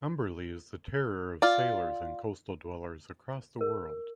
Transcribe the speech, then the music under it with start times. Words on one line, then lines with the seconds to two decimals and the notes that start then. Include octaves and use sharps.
Umberlee is the terror of sailors and coastal dwellers across the world.
1.42 F4 D5
3.61 A#4